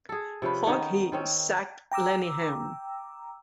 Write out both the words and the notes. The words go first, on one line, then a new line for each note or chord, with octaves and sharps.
Haughey sacked Lenihan.
G#4 A4
C3 F3 C#4 B4
D#3 B3 C#4 D#4
D#3 C4 C#4
G5 A#5 D6 E6